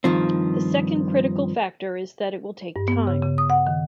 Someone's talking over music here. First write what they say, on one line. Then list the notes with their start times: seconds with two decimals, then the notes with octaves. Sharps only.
The second critical factor is that it will take time.
0.04 G2 D#3 F3 C4
2.76 G2
2.88 B3
3.07 C#3
3.23 C#3
3.38 D#6
3.50 F#5
3.67 D#3